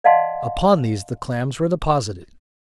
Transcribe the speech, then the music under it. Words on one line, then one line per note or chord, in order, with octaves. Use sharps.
Upon these the clams were deposited.
D5 D#5 F5 F#5 A5 C6